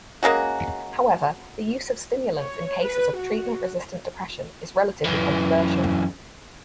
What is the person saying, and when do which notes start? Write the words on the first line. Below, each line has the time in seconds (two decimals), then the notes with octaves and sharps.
However, the use of stimulants in cases of treatment-resistant depression is relatively controversial.
0.23 G#3 A#3 C#4 F#4
2.37 C#5
2.81 B4
3.15 F#4
5.05 F#2 E3